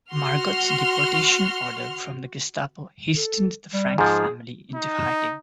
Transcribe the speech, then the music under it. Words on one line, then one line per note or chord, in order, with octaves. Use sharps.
Margot's deportation order from the Gestapo hastened the Frank family into hiding.
F#4 C6 F6
A4
G3
G#2 F3 G#4
D#4